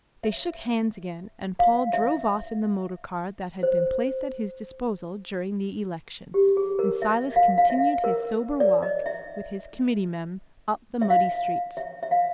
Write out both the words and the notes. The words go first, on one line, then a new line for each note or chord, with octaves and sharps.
They shook hands again, and Paul drove off in the motor car that had been placed at his disposal during the election, and Silas continued his sober walk with his committee-men up the muddy street.
E5
F5
E5
C5
G4
G#4
A#4
E5
F5
F5
E5
A#4
D5
D#5
E5
E5
F5
E5
E5
F5